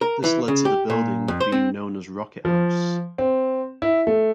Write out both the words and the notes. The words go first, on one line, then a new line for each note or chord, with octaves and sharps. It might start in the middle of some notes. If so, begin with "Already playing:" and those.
This led to the building being known as Rocket House.
A#4
E3
C#3
G4
A#2
F2
C5
C4
F3
C4
E4
A3